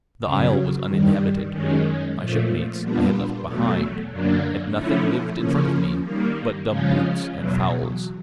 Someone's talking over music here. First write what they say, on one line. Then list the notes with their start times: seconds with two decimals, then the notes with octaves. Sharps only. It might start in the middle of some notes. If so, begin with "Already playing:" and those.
The isle was uninhabited; my shipmates I had left behind, and nothing lived in front of me but dumb brutes and fowls.
0.22 F#2 C#3 F#3
0.87 G2 D#3 G3
1.51 F#2 D#3 G#3 C#4
2.16 A#2 F3 A3
2.80 A#2 G3 B3 D4 F4
3.45 E2 B2 F#3 A3
4.09 F#2 D3 F#3 A#3 D4
4.74 D3 F3 A3 C#4 E4
5.39 C#3 F3 A#3 C#4
6.03 D#3 G3 A#3
6.67 C#3 F3 G#3 C#4 F4
7.32 E2 B2 F#3